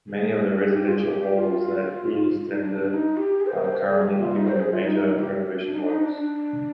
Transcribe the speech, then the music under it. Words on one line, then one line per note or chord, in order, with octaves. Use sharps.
Many of the residential halls at Uilenstede are currently undergoing major renovation works.
G#4
G#4
G4
F4
G#4
G4
G4
F4
D#4
D4
D4
D#4
G4
G#4
C5
A#4
C5
A#4
G#4
G4
F4
D#4
C5
G#4
F4
D#4
D#4
D#4
G4
D4
D#4
D4
D#4
D4
D4